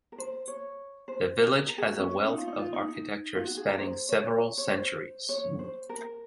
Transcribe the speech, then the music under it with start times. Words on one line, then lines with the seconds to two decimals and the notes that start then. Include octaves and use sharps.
The village has a wealth of architecture spanning several centuries.
0.12 A#4
0.18 C5
0.48 C#5
1.08 C5
1.38 A#4
1.68 A#4
1.78 G#4
1.88 F#4
1.99 C#4
2.28 D#4
2.38 F4
2.48 D#4
2.58 F4
2.74 D#4
2.88 D#4
3.36 F4
3.47 F#4
3.57 G#4
3.68 A#4
3.78 C5
4.09 C#5
4.58 C#5
4.69 C5
5.29 C#5
5.59 C5
5.89 A#4